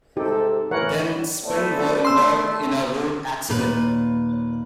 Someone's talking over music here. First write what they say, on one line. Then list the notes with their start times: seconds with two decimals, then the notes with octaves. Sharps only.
Then, Sp!n were involved in a road accident.
0.17 G#2 C3 D#4 G4 A4
0.71 A2 E3 A#4 C#5 F#5
1.44 A3 B3 C5 D5
2.05 A3 C6 E6
3.48 D#2 A#2 B4